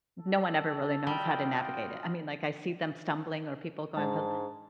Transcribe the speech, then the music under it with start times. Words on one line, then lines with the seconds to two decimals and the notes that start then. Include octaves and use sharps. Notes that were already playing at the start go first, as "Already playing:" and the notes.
No one ever really knows how to navigate it. I mean, like, I see them stumbling or people going ho
0.20 A4
1.07 G3 F4 F#4 D#5 G5
3.97 G#2 G#3 D4 A5